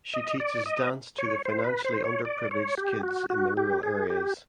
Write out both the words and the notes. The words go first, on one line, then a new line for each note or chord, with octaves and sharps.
She teaches dance to the financially under privileged kids in the rural areas.
D#5
D5
D#5
C#5
C5
B4
C5
C#5
D5
C#5
G4
F#4
F#4
G4
G#4
G4